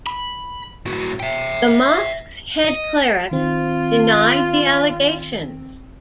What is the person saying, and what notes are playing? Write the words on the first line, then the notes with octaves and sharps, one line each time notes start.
The mosque's head cleric denied the allegations.
B5
A2 F#4
E5 G5
D#5
D#3 C4 F4